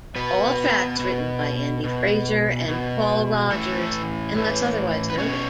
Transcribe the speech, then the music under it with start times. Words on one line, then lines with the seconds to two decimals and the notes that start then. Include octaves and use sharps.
All tracks written by Andy Fraser and Paul Rodgers unless otherwise noted.
0.16 B2 B3 B4
0.99 B2
1.84 B2
2.68 B2
3.50 A2 E3 A3 A4
4.35 A2 E3
5.10 B4
5.18 B2 C#4 C#5